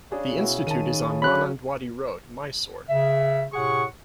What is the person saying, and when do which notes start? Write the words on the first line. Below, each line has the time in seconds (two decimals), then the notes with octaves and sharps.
The institute is on Manandwadi Road, Mysore.
0.12 C#3 D4 G#4
0.36 B2 E4 F#4
0.67 D#3 A5 D#7
1.22 C#3 F#3 C#4 B5 F#6
2.89 C#3 E5
3.53 A2 C3 G#4 F#5 C#6